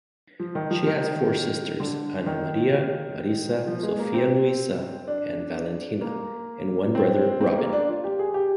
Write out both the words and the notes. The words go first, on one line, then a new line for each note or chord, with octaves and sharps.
She has four sisters: Anna Maria, Marisa, Sophia-Luisa, and Valentina; and one brother, Robin.
F3
D#3
F3
D#3
D3
D#3
F3
G#3
A#3
C4
D4
A#3
C4
C4
A#3
D4
F4
G4
G#4
G4